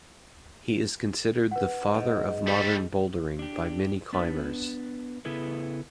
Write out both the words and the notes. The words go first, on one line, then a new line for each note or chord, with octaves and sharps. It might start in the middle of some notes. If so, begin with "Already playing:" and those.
He is considered "the Father of Modern Bouldering" by many climbers.
B4 F#5
G#2
G3 A4
D4 G4
B3 D4 B4
C#3 B3 E4 G#4 A4 B4